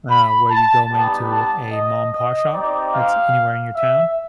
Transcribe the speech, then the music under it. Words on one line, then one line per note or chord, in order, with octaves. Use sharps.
uh, where you go maybe to a ma and pa shop, that's anywhere in your town,
B5
A5
G3 B3 D#4 G4 A5
A5
D#5
D#5
C4 D#4 G4 D5
F5
E5